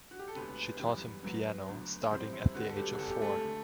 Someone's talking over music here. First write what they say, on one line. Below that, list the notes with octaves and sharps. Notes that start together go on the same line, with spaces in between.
She taught him piano, starting at the age of four.
F#4
G4
A4
E1 D2 C3 B3 B4
F#2 E3 G3 B3
F#2 F#3 B3
D2 D3 F#3 B3
G1 F#2 E3 G3 C4 C5
E4
D2 D3 G3 B3 F#4
A4
G3 G4
E1 E2 C3 G3 C4 A4
G4
A3 A4
D3